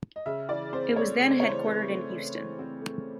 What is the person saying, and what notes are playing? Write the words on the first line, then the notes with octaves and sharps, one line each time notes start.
It was then headquartered in Houston.
D#5
C#3 E5
E3 D5
C4 C5
A3 C#5
C#3
C5
E3 C#5
C5
C4 B4
A3
C#3
E3
C4
A3